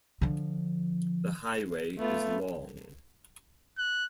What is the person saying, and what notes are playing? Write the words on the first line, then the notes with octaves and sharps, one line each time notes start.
The highway is long.
D3 F3
A3 B3 F4
F#6